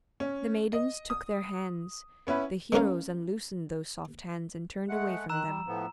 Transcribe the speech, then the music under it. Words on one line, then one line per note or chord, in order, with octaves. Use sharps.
The maidens took their hands; the heroes unloosed those soft hands and turned away from them.
C#4
D#5
D#6
B3 C#4 E4 B4
G#3 A#3 C#4 A#4 F5
G#3 A3 F#5
D#3 A#5 E6 F#6 E7
G3
A2 F3 B3